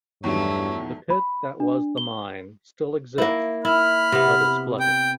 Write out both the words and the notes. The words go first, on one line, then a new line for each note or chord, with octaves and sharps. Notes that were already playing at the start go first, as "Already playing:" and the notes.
The pit that was the mine still exists, but is flooded.
E2 G2 D#3 F#3 A3 C#5
B5
D4
G7
A#3 E4
E4 B5 F6
C3 B3
G5